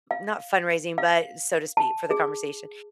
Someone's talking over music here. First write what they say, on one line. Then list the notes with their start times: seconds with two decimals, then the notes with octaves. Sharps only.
not fundraising, but so to speak, for the conversation,
0.11 F5
0.98 F5
1.77 A5
2.11 G#4